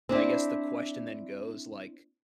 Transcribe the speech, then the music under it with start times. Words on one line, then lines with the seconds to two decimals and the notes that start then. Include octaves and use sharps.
I guess the question then goes, like,
0.09 C4 D4 E4